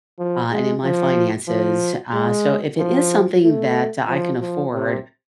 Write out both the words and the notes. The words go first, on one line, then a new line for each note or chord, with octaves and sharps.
uh, and in my finances, uh, so if it is something that I can afford,
F3
G#3
F3
F3
G#3
F3
A3
F3
F3
C3